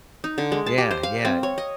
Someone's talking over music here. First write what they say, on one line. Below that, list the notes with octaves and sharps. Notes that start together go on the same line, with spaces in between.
Yeah, yeah.
D#4
D3
G#3
A5
G4
C5
F5
C4
C#5
D#5